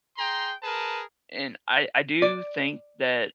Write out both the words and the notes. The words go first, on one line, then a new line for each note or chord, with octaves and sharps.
and I I do think that
G#4 G5 A#5 C6
G#4 A#4 B4 A5
D5